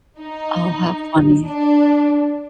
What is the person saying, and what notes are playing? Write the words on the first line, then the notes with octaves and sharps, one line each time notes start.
Oh, how funny.
D#4
D4